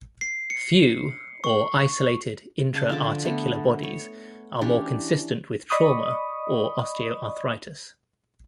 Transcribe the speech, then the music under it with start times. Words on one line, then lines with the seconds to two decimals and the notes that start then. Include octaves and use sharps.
Few or isolated intra-articular bodies are more consistent with trauma or osteoarthritis.
0.21 C7
0.50 C#7
1.44 C#6
2.74 C#3 A5
2.90 D3 F3 A5 D6
3.25 A3 B3
3.83 C#5
4.61 E3 C#4 D4 G4
5.70 D5 D#5 B5 C#6 D#6